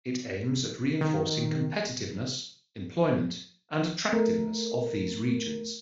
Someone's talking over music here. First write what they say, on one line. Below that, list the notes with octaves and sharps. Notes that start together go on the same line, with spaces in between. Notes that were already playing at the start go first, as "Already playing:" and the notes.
It aims at reinforcing competitiveness, employment and attractiveness of these regions.
D#3
A3 A#4